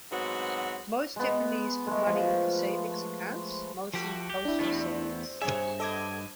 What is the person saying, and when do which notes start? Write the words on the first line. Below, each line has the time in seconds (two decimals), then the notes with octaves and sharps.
Most Japanese put money into savings accounts, mostly postal savings.
0.11 G#2 F#3 B3 C4 F#4
1.16 G#3 B3
1.87 G#3 A3
2.07 F3
3.94 F3 A3 F#4 G4
4.30 G4
4.45 D4 E4
4.59 E2 G3 A3 B3 C4
5.42 G2 B2 G#4 C#5 E5
5.80 B3 A4 D#5 D6 G#6